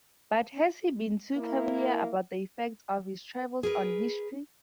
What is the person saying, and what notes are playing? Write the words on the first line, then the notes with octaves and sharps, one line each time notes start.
But has he been too cavalier about the effects of his travels on history?
A#3 E4
G#4 A#4 B4